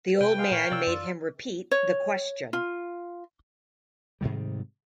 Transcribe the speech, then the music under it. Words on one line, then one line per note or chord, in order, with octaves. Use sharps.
The old man made him repeat the question.
C3 B4 G5
G#3 F5
A#2 A#4 C#5 F5
C3 D5 E6
F#2 F4
C#5
F4
G#2 C3 D#3 G3